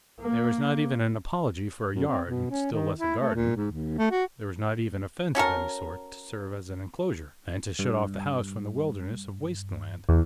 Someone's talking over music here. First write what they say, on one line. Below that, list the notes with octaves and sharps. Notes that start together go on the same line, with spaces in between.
There was not even an apology for a yard, still less a garden,--there was not even a fence of any sort, to serve as an enclosure, and to shut off the house from the wilderness of waste land.
A#3
F#2
C4
B2
C#4
D#3
E4
A3
A#2
G#2
D#2
A3
F#4
C#4 F#4 A4 A#4
G2
E2